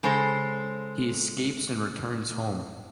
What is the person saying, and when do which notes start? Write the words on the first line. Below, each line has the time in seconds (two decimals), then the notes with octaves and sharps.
He escapes and returns home.
0.03 C#3 G#3 A4 C5